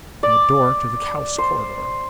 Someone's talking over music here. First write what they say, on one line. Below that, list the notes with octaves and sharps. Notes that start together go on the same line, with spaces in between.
And a door to the house corridor.
D5
C5